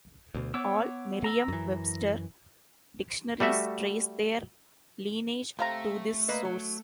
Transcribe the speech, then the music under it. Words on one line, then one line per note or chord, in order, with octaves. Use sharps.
All Merriam-Webster dictionaries trace their lineage to this source.
D2 B2
B3 C#5 D6 E6
A#5 E6
F#2 E3
G3 A3 F#4 E5
C3 A3 F5 A#5
A#3 B4 D#5
F#3